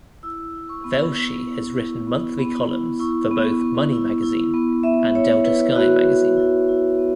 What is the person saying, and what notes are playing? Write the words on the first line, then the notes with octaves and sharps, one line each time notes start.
Velshi has written monthly columns for both "Money Magazine" and "Delta Sky" magazine.
E4 E6
E4
C#6
B3
B3
E4
E4
B3
B3
E4
E4 C#6
B3
B3
E4
E4
B3
B3 E5
E4 C#5
E4 B4
B3 F#4
B3
E4
E4
B3